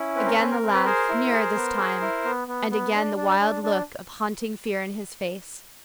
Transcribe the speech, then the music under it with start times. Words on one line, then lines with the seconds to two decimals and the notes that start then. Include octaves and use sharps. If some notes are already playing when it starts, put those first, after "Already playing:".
Again the laugh, nearer this time, and again the wild look of haunting fear in his face.
Already playing: C#4 E4
0.16 C4 B4
0.26 A#4
0.35 C4 A4 B4
0.51 A#4
0.63 C4
0.74 B4
0.85 G#4 A#4 C5
1.09 E4
1.32 G#4
1.55 B3
1.78 G#4
2.01 E4
2.25 B3
2.48 B3
2.71 B3
2.94 D4
3.16 D4
3.40 D4
3.63 D4